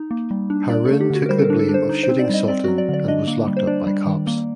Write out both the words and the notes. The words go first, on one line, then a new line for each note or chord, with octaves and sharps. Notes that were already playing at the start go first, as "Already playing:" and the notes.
Haroon took the blame of shooting Sultan and was locked up by cops.
Already playing: D#4
A#3
G3
D4
D4 D5
A4
A3
G4
D3 F#4
A#4
G3 C5
A4
A#4
D4
A4
D4
C5
D#4
C5
C4
D5
G3 D#5
C4 D5
F#4
F#3
D5
D3 D5
D4 D#5
A#3
G3
C5
D4 D5
G3
D#3
A#3